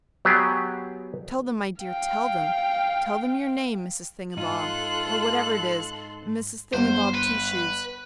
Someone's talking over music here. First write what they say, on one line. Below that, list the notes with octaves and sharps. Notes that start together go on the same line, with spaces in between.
Tell them, my dear, tell them; tell them your name, Mrs. Thingabob, or whatever it is, Mrs. Thingabob Twoshoes.'
F#3 B3 G4 G#4
F5 G5
G#2 D#4 F4 A4 C6 F#6
G1 C5
B4